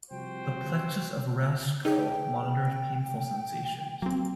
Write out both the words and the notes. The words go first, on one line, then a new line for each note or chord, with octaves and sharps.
The plexus of Raschkow monitors painful sensations.
C3 F3 G3 F#4 C5 G5
D#4 G#4 G5
F#3 A#3 C4